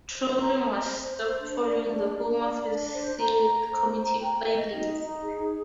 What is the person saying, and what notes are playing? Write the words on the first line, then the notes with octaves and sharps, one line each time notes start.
Trawling was stopped following the Home Affairs Select Committee findings.
C5
A#5
C5
C5
C5
D4
D5
D4
D4
D5
D4
C5
A#5
A#5
C5
A#5
G5
D#5
D#4
D#4
G#4